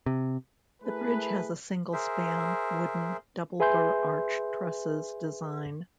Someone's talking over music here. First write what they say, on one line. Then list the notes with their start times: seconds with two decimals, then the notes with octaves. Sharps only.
The bridge has a single span, wooden, double Burr arch trusses design.
0.06 C3
0.82 A3 E4 G#4 A#4 B4
1.93 G#4 A#4 C5 E5
3.60 G#4 B4 E5 G#5 C6 G6